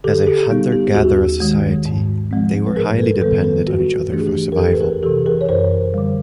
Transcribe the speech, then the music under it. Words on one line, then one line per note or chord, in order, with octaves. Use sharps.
As a hunter-gatherer society, they were highly dependent on each other for survival.
D3 G4 A4
G#4
G4 A4
G3 B3 D#4
G4
D#2 F#4 G#4
D#3 G#3
G#2
F3 G#3 C4
B4
G#2 G#4 A#4
A4 B4
D#3 G3 B3 A4 B4
A4 B4
G2 F#4
E3 A3 D4 G4
G#4
G4
A#4
F2 G4 A4
B4
G#4 A#4
C3 E3 G4 A4
G#4 A#4
C#5
F#2 A#4 C5
D3 G3